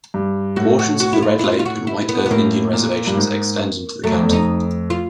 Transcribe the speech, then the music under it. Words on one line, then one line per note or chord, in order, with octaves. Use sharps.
Portions of the Red Lake and White Earth Indian reservations extend into the county.
G2
A2 F#4
F#4
F#4
E4
F4
E4
F4
F4
F#4
E4
B3
A#2 B3
A2 A#3
A#2
G2
G#2
F#2 A3
F2
E2
F2 D#4
F4